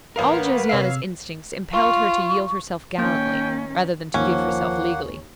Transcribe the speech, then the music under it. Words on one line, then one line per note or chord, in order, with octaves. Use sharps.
All Josiana's instincts impelled her to yield herself gallantly rather than to give herself legally.
A1 A#3 A#4 B4 F5 F#5 F7
C3 C#5 F5 E6 C7
F4 C#6
D#3 A#3 C#4 G5
D#2 F3 A#3 C#4 F#5